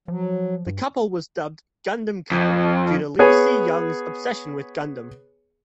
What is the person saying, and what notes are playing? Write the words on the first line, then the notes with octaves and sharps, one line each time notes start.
The couple was dubbed "Gundam Couple" due to Lee Si-young's obsession with Gundam.
F3 F#3
G2
F2
B3 G#4 C#5 G#5